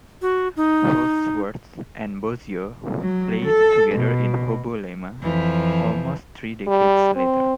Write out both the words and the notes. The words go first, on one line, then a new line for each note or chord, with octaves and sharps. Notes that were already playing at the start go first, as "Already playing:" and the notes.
Holdsworth and Bozzio played together in HoBoLeMa almost three decades later.
F#4
D#4
F#3
A4
B2
F2 E3 F3
G3
C4